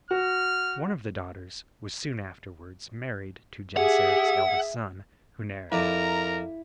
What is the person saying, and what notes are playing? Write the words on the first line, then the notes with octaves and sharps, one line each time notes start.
One of the daughters was soon afterwards married to Genseric's eldest son, Hunneric.
F#4 F6
G4 G#4 E5 F#5
F2 E4 A#4 D5 A#5